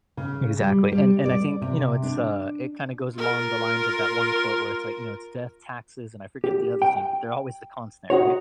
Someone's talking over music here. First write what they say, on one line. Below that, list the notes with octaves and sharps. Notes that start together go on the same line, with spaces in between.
Exactly, and and I think, you know, it's, uh, it kinda goes along the lines of that one quote where it's like, you know, it's, "Death, taxes" And I forget the other thing, but they're always the constant, right?
C#3
G3
G3
D5
C3
D4
F4 A#4
G4
G5
D#4 F#4 C#5